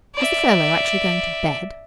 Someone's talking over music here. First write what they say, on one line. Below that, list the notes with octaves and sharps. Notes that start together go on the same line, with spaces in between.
Was the fellow actually going to bed?
D5 E5